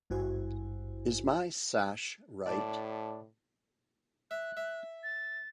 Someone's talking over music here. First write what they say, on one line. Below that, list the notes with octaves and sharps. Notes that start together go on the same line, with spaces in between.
Is my sash right?
G#1 G2 E4 F#4 C5 G#5
A2 D5 A5 D6
E5 F#6
E5
A6